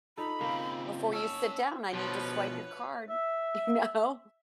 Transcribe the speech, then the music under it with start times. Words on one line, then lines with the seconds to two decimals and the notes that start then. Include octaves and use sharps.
"Before you sit down, I need to swipe your card," you know?
0.17 D#4 F4 A4 B5
0.41 C#3 A#3 C4
1.13 C#4 C#5 A5 E6
1.93 B2 F3 B4 C#5
3.10 E5